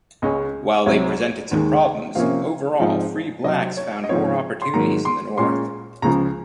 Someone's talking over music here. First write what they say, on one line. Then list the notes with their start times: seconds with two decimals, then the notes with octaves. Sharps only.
While they presented some problems, overall free blacks found more opportunities in the North.
0.22 C#2 C#3 G#3 C#4 D#5
0.86 C2 C3 F#3 C#5
1.51 D#2 D#3 G#3
2.15 C3 F3 A#3 C#4 F5
2.80 G#2 F3 C4
3.44 C3 F#3 C4 D#5
3.77 C#5
4.04 D#5
4.09 G#2 F3 C4 C#5
4.62 C6
4.73 G#2 D#3 F#3 A#3 A#5
5.05 C6
5.38 A#2 G#3 C#4 C6
6.02 C#2 C#3 F3 A#5